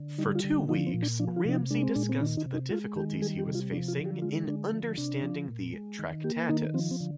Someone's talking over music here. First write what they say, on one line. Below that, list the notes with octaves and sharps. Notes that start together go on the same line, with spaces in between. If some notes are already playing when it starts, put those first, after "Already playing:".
For two weeks Ramsey discussed the difficulties he was facing in understanding the "Tractatus".
Already playing: D3
G3 D#4
F4
D3
F3 D#4
C4
A#2
D4
F3 D4
F4
C3 D4
D#4
G#3 D4
C4
A#2 D4
C4
D#3 D4
D#4
C3
D#4
G#3 F4
D#3 G4
G3 G#4
G4
C3
F4
F3 D4
F4
D3
G4
G#3 F4
D3 D4
F3
C3 D4
F3
A#2
G#3
D#3
A#3 G4
D#3 D#4
F3 C4
C4
D3